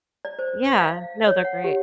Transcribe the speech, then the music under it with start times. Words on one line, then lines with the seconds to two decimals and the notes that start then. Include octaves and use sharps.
Yeah. No, they're great.
0.25 D5
0.39 C5
0.81 F5
0.94 F5
1.27 C#5
1.45 F#5
1.64 G4